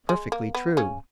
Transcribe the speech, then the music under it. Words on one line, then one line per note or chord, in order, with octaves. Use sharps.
"Perfectly true."
G#3
A#3
B3
C#3 C#4